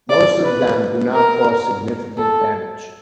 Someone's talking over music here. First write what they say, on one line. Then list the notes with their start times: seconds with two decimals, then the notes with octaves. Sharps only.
Most of them do not cause significant damage.
0.10 D5
0.44 B4
1.14 A#4
2.18 A4